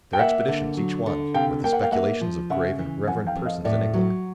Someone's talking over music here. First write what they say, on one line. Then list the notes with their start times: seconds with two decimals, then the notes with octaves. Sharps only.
Their expeditions, each one, were the speculations of grave and reverend persons in England.
0.13 G5
0.19 A#3 E5 F#5
0.48 D3
0.77 F#3
1.06 D3
1.34 C3 F5 G5
1.64 A#3 G5
1.73 F#5
1.82 F5 G5
1.92 A#3 E5 F#5
2.21 F3
2.50 C#3 E5 F#5
2.79 E3
3.07 F2 F#5 G#5
3.27 F5 G5
3.36 F2
3.45 D#5 F5
3.64 A2 D5 E5
3.94 F#3